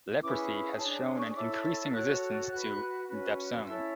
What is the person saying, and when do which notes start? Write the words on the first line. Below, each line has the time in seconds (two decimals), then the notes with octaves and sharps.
Leprosy has shown an increasing resistance to dapsone.
0.21 C#4 E4 G#4 B4 D6
0.50 B5
0.78 D4 G#4 C#5 A5
1.17 C#6
1.36 E4 A4 C#5 D6
1.50 E6
1.64 E6
1.79 E6
1.93 F#4 A4 C#5 F#6
2.50 F#4 B4 F#6
3.08 C#4 F#4 B4
3.65 C#4 E4 A4 C#5 E6